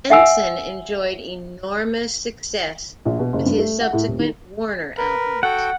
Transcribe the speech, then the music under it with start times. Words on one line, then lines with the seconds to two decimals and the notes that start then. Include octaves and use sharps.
Benson enjoyed enormous success with his subsequent Warner albums.
0.10 E5 F#5 G#5 E6
3.05 A#1
3.19 B2
3.33 F#1
3.46 G2
3.59 A3
3.81 F#5
3.93 A2
4.07 D#1
4.19 D#3
4.97 A#4 B4
5.43 F#4 A4 F#5 G5